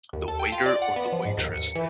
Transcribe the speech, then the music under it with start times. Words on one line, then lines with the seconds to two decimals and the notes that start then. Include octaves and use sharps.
the waiter or the waitress
0.13 D#2
0.28 A4
0.39 G5
0.52 F4
0.66 D5
0.82 F#5
0.96 B3
1.12 F3
1.25 G#2
1.37 D#2
1.52 C#7
1.75 E3